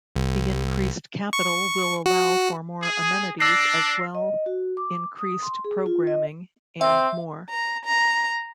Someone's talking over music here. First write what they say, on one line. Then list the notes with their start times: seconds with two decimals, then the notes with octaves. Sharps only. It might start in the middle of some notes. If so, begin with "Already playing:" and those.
The increased capital will allow for more amenities as well increased programming and more.
0.16 C2
1.33 C#6
2.06 F#4
2.83 G#4
3.40 D4 E6 A#6 C7
4.15 D#5
4.46 F#4
4.77 D6
5.19 D#6
5.43 C6
5.64 G#4
5.86 F4
6.07 D#5
6.81 C4 E5
7.50 A#5
7.85 A#5